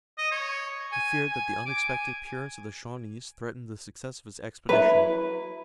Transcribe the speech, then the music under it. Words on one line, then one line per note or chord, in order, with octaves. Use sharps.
He feared that the unexpected appearance of the Shawnees threatened the success of his expedition.
D#5
C#5
G#5
G#5
D6
G#5
F#3 E4 B4